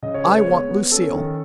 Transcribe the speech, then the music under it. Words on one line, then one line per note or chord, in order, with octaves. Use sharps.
I want Lucille.
C#3 D#5
C#5
G#3 B4
C#5
B3
B3
C#4 A4
D#3